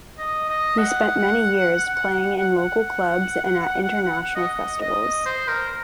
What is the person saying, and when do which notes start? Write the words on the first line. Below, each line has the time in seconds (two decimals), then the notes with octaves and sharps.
He spent many years playing in local clubs and at international festivals.
0.19 D#5
0.49 D#5
0.78 F#5
2.58 F#5
4.36 D#5
4.81 D#5
5.26 C5
5.48 A#4